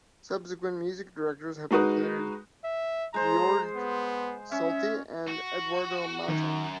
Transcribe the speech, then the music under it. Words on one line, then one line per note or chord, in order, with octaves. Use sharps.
Subsequent music directors have included Georg Solti and Eduardo Mata.
G#3 D#4 F#4 B4 D#6
E5
G#3 C5 A#5
B3
C#4 E5
F#4
F#2 D#3